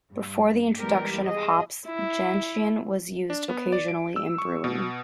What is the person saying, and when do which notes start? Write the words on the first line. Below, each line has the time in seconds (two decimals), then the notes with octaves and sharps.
Before the introduction of hops, gentian was used occasionally in brewing.
0.12 G2
0.78 E3 G3 G#3 B3 G4 A#4
1.24 G#4 D#5
1.87 E4
3.30 D4
3.50 B3
3.72 D5
3.88 D7
4.16 E6
4.38 C#6
4.64 B2